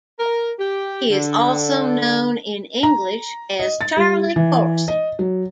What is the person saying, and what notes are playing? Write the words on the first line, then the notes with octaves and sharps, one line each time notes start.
He is also known in English as "Charlie Corsey".
A#4
G4
D3
A#5
D#5
A6
G3
E3
D#5
F#3